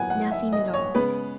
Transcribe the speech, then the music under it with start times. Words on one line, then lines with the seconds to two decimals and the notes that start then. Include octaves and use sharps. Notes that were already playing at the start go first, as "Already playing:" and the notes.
Nothing at all.
Already playing: A2 F#3 B3 F#5 G#5
0.10 F#5
0.32 E5
0.53 D#5
0.74 C#5
0.94 C#3 G#3 B3 B4